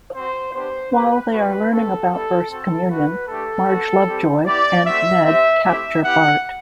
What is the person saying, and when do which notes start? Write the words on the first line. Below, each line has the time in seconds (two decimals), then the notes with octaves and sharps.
While they are learning about First Communion, Marge, Lovejoy, and Ned capture Bart.
0.15 C4 F#4 C5
0.54 B3 D4 G4 C5
0.93 A3 C4 G4 B4
1.33 A3 C4 F#4 B4
1.72 A3 C4 F#4 A4
2.11 G3 B3 E4 A4
2.50 C4 F#4 A4
2.90 A3 D4 F#4 B4
3.29 A3 D4 G4 A4
3.68 B3 F#4
4.08 G3 C4 G4
4.47 B3 E4 G4 D5
4.86 A3 C4 F#4 E5
5.25 C4 G4 E5
5.64 A3 C4 E4 G4 E5
6.03 B3 E4 G4 F#5